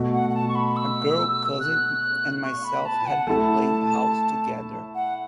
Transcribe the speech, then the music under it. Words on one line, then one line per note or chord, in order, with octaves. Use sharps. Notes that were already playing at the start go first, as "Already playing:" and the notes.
A girl cousin and myself had been playing house together.
Already playing: B2 A3 F#4 A4
F#5
F#5
A5
C#6
B5
E6
F#6
C#6
B5
A5
F#5
A3 E4 A4 A5
F#5